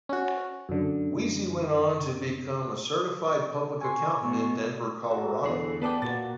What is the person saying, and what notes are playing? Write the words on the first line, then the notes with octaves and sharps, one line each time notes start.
Weese went on to become a Certified Public Accountant in Denver, Colorado.
C#4 F#4
F#2 D3
G#5 C6 C#6
B2
F#4 A4
E2 D3 G#4
B3 B4 D5 G5 A5 D6
A#2 A#3 F#4 A6